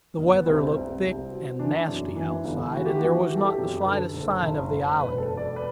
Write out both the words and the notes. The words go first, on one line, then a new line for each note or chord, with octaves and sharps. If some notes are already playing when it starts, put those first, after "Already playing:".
The weather looked thick and nasty outside, and there was not the slightest sign of the Islander.
G1
B3
C2 C4
C2
C2
B2
E3 D4
F#2
E3
G1
E3 F#4
G4
E3 F#4
E3 G4
A4
G4
F#2
B4
D3 A4
F#1
F#1
F#1
E1 B4
A4
E1
D5
B4